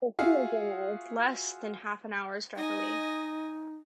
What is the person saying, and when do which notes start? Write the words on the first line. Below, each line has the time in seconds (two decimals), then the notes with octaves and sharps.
The City of Bangor is less than half an hour's drive away.
0.19 F4 F#4 G#4 E5 F5
2.56 D#4 D#5 G#5 A#6